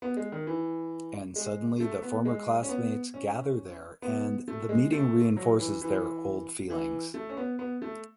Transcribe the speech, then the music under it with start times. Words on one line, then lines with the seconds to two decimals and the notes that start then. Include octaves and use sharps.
And suddenly the former classmates gather there and the meeting reinforces their old feelings.
0.02 B3
0.17 G#3
0.32 D#3
0.47 E3
1.36 G#3
1.80 A3
2.02 B3
2.25 G#3
2.63 C#4
2.69 B3
3.14 C#4
4.02 B3
4.48 A3
4.69 G#3
4.92 A3
5.37 F#3
5.59 E3
5.82 E3
6.70 E3
7.14 A3
7.29 C#4
7.37 B3
7.59 B3
7.82 A3